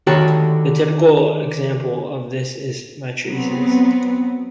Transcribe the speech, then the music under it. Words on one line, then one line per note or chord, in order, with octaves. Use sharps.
The typical example of this is matrices.
D3 D#3 F#4 G4 A4 C#5
F#3 B3 C4